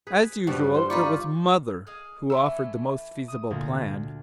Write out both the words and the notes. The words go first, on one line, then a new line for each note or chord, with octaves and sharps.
As usual, it was "mother" who offered the most feasible plan.
G#4 B4
G2 F3 G3 F#4
G3 C5
D#4 F4 D5 B5 C#6
G#4 D#5 F5
E3 A3 C#4 E6
D#6
D2 A#2